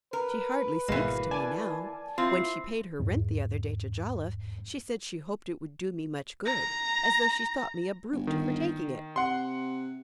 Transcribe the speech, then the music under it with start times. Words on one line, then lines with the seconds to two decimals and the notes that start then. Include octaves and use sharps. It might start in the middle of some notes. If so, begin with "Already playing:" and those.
"She hardly speaks to me now. When she paid her rent the other day to Jolliffe, she said she hoped it would do me much good; as though she thought me a brute for taking it."
0.13 A#4 B4
0.88 G#1 B2 E3 G#3 A#3
1.31 D5 G#5 A5
2.18 C4 E4 F4
3.00 E2 G#2
6.46 A#5
8.12 G1
8.27 D#3
9.16 C3 F#5 C6